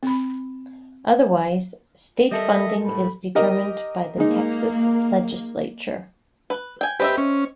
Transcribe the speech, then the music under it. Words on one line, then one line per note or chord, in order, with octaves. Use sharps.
Otherwise, state funding is determined by the Texas Legislature.
C4 B5
G3 A4 A#4 D#5 E5
A2 B5
G4 A#4 D#5
G#3 A#3 D#4
B4
G5 G#5
C4 G4 B4 D#5 E5
C#4